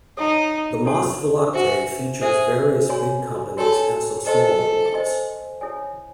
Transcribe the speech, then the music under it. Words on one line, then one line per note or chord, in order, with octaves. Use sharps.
The Maasvlakte features various big companies and some smaller ones.
D#4 A4 C#5 F#5 A5 C6
A4 C#5 F#5 A5 C6
F#4 C5 E5 G#5
G#4 C5 E5 G#5
F#4 C#5 G#5 C6
F#4 A4 C#5 G#5 C6
A4 C5 D#5 G#5 C6
C5 D#5 G#5 C6
E4 A4 C#5 G#5